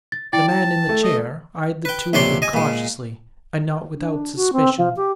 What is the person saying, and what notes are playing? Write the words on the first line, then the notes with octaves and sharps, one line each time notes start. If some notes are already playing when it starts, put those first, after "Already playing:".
The man in the chair eyed the two of them cautiously, and not without suspicion.
A6
E4 D5 G5 A6
A5
A3
D#5
B4 G5
A#1 C3 D4 C#5 D5 C6
D#5 G#5
A#2 G#3
D4
F#4
C4
F3
G4